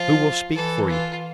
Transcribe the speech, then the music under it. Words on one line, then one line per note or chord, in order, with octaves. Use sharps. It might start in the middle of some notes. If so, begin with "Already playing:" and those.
"Who will speak for you?"
Already playing: F3 F4
E3 A4
F4